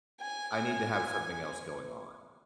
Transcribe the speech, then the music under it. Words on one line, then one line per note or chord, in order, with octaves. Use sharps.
I need to have something else going on,
G#5
G#5